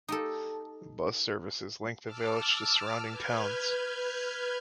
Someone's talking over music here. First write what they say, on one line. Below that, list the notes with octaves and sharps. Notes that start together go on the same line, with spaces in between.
Bus services link the village to surrounding towns.
D#4 G4 A4
A5 D6 E6 F6
B4 F6 G6 G#6